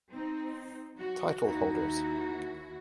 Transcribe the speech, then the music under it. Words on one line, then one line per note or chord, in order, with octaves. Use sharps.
Title holders.
C4 D#4
F#3 F#4
D#2 D#4 E4 F#4